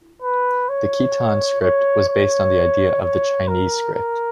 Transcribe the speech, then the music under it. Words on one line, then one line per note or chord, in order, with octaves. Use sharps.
The Khitan script was based on the idea of the Chinese script.
B4
C#5
C#5
C#5
C#5
A#4
A#4